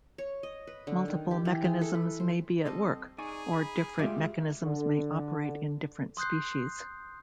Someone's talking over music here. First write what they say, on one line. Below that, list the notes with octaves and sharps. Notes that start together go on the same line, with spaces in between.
Multiple mechanisms may be at work, or different mechanisms may operate in different species.
C#5
D#5
B4
D3
D#3
G4
E3
G#4
A4
B4
C5
G3 C4 A4 D#5
D#4 G#4 D5 G#5 C#6
B5
G2 G3 G#3 F4 G4 E5
D3
C6 D#6 F#6 G6 C7